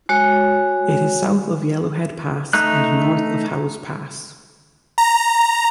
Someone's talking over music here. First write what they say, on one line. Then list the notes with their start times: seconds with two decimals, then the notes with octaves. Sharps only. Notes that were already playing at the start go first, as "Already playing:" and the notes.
It is south of Yellowhead Pass and north of Howse Pass.
0.09 G#3 F#4 C#5
2.53 A3 D#4 F#6
4.98 A#5